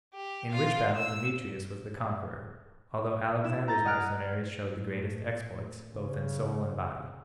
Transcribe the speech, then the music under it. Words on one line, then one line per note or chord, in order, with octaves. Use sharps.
In which battle Demetrius was the conqueror, although Alexander's mercenaries showed the greatest exploits, both in soul and body.
G4
F4 F5
E6
E4 E7
A#5 G6 A6 A#6
D#5 F#5 G#5 F6 F#6 D7
A2
C#3